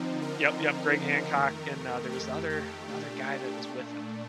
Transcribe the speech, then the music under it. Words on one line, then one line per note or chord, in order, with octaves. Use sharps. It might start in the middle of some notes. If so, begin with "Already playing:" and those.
Yup, yup, Greg Hancock, and, uh, there was the other the other guy that was with him.
Already playing: D3 F3 C4 D#4
A#4
F2 D#3 A3
G4
G4
A#2 A3 D4